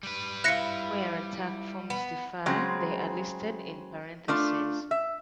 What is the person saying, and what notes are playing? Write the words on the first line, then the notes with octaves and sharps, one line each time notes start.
Where Ratak forms differ, they are listed in parentheses.
G3 B4
E4 F4 F#6 A#6 C#7
B3
C#3 F#3 G#3 C4
A3 D4 F4
E5